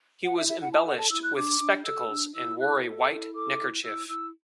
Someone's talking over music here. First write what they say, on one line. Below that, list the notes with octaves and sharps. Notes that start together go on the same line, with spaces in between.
He was embellished with spectacles, and wore a white neckerchief.
F#5
E4 E5
E5
E4 F#5
A5
A4 F#5
A5
E4 E6
F#6
D4 D6
D4
A4 E6
D4
E4 E6
A4 F#6
A4
E4
A4 D6
E4
E4 E6
E4 E6